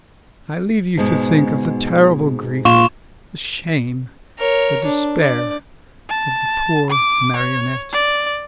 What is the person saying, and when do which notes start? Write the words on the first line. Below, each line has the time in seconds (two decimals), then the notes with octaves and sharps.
I leave you to think of the terrible grief, the shame, the despair of the poor Marionette.
0.97 G#2 B2 G#3
2.65 A#2 F4 C#6 E7
4.38 A#4 C#5
4.84 D4
5.21 D5
6.09 A5
6.90 D6
7.37 C#5
7.93 D5